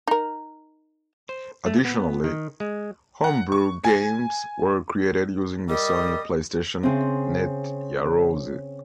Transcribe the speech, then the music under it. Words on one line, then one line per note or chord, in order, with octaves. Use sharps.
Additionally, homebrew games were created using the Sony PlayStation Net Yaroze.
D#4 A#4
C5
A3
B3
D#3
G#3
F#5
C#6
G#5
G3 A#4 D#5
C#3 C4